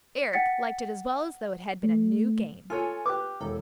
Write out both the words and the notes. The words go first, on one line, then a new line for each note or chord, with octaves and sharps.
Eric liked it as well as though it had been a new game.
F#5 G5 A6 B6 C#7
A3
F4 A4 C#5 G#5
G4 B4 D6
E1 A4